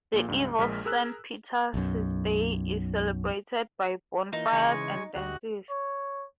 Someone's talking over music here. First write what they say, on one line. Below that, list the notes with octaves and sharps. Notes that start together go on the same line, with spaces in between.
The Eve of St. Peter's Day is celebrated by bonfires and dances.
A#1 A#2
C#2 G2
A#1 G#3 A#4 F6 B6
G#4 A#4 E6 F#6
B1 F#2
E3 A#3 D#4 F4
C#3 E3 G#3 G#5 C#6
D2 F#4 G4 D#5 F#6
C#5